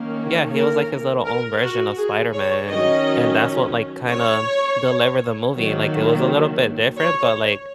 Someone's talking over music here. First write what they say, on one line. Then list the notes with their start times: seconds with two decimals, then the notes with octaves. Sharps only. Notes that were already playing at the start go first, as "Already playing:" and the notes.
Yeah, he was like his little own version of Spider-Man and and that's what, like, kinda delivered the movie, like, it was a little bit different, but, like,
Already playing: D#3 A#3 C#4
0.54 A#4
1.25 A#4
1.61 F#4
1.97 G#4
2.33 C#5
2.68 D#3 F#3 C#4 D#5
4.11 C#5
5.54 D#3 F#3 A#3
6.97 C#5